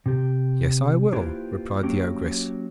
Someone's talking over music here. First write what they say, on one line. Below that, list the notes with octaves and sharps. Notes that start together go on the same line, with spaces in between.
'Yes, I will,' replied the ogress.
C3 G4
A#3 E4 F4 G4 B4 C5
F#3 A#3 C#4 G4 G5